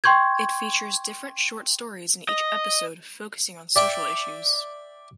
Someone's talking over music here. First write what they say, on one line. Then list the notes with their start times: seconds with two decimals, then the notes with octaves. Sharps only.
It features different short stories in each episode focusing on social issues.
0.04 G5 C6 C#6 G6 G#6
2.29 D#5
3.76 D5 E5 G5